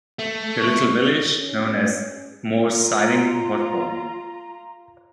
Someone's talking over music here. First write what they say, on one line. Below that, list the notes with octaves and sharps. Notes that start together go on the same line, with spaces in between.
The little village, known as Moore's Siding was born.
A3
C#6
C#4
F4 A#5